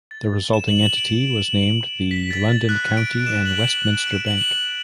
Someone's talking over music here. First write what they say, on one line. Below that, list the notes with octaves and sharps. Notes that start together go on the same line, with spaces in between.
The resulting entity was named the London County and Westminster Bank.
A6
E7
F#7
E7
D7
B6
A6
A6
F#6
D7
E7
F#7
E7
F#7
E7
D7
E7
F#7
E7